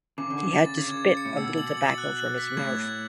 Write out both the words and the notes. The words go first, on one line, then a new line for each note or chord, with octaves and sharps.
He had to spit a little tobacco from his mouth.
C#3 D6
D3
D6
C#3
A6
C#3 G#6
G#6
C#7
A2
B2 E6
F#7
A6
F#6
F#7
B6
A2 G#6
G#6